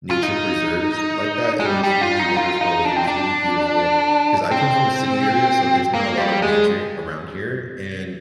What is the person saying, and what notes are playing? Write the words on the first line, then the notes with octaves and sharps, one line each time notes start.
nature preserves like that. It was really wonderful. It was really beautiful. 'Cause I come from a city area, so there's not a lot of nature around here. And
F4
D#4
G#3
G3
G3
F4
D#4
F4
D#4
D4
C4
D4
C4
A#3
G3
G#3